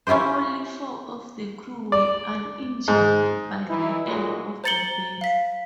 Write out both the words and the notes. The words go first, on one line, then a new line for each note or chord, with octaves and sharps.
Only four of the crew were uninjured by the end of the battle.
C#4 E4 F4 G4 C5
D5
G#2
E3 D#4 E4
B1 A#2 F#3 G#3
C5 A#5 A6 C#7 F#7 G7
F5 B6